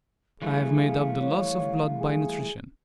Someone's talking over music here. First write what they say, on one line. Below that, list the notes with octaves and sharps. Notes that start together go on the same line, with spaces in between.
I have made up the loss of blood by nutrition.
E3 G3 A3 G#4 F5
F5
C#5
G#4